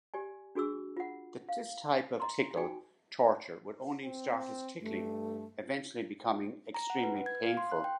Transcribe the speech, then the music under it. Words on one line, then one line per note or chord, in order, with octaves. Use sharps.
This type of tickle torture would only start as tickling, eventually becoming extremely painful.
G4 D5 G#5
D4 F#4 G#4 D6 E6
F4 F#5
F5
D#5 A#5 C6
D#4 F#4 G5 G#5
C4
G2 A3
A#5
F#5
B4
G#6
F5
C6
F#6
G5